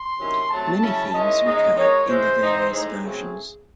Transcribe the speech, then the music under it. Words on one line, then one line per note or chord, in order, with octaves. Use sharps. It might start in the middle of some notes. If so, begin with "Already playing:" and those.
Many themes recur in the various versions.
Already playing: C6
C3 D#3 F#3 C#4 E4
C3 F#3 A3 A5
C#3 F#3 C#4 E4
D#3 G#3 C#4 E4 D#5
C#3 G#3 D#4
D#3 G#3 D#4 C#5
C3 E3 G#3 C5
G#2 E3 C4 D#4
A2 G#3 D#4
C#3 F#3 A3 C4 G#4